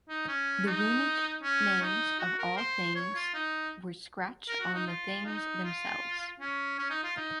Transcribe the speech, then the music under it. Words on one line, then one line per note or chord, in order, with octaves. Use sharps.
The runic names of all things were scratched on the things themselves.
D#4
C#4
D#4
C#4
D#4
F#4
A#4
C5
C#5
F4
D#4
A#4
F#4
D#4
F4
D#4
F4
C#4
C#4
D#4
F4
D#4